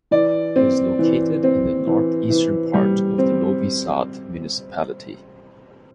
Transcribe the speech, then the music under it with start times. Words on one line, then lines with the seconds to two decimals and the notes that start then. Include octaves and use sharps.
It is located in the north-eastern part of the Novi Sad municipality.
0.11 E3 D5
0.56 C4
0.99 E3
1.43 C4
1.87 E3
2.30 E3
2.74 G3
3.18 C4